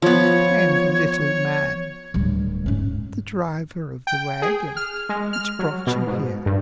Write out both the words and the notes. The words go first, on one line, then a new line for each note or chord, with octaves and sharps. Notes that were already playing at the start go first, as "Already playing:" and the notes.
I am the Little Man, the driver of the wagon which brought you here.
F3 B3 C#5
C#5
D1 G3
G#2 C#4
G5
G#4
F6
G#3
F6
F#3
B2
G#2
G2